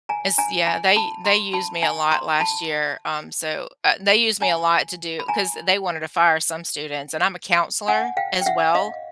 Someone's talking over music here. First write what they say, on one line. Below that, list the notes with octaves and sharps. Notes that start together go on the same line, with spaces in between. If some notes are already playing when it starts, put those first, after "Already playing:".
It's Yeah, they they used me a lot last year, um, so, uh they used me a lot to do 'cause they wanted to fire some students and I'm a counselor as well.
G#5 A#5
G#5 A#5
G#5 A#5
A5 B5
A#5 C6
A5 B5
G#5 A#5
A#5 C6
A5 B5
G#5 A#5
B5
G#5 A#5
F#5 G#5
F5 G5
G5
E5 F#5
D#5 F5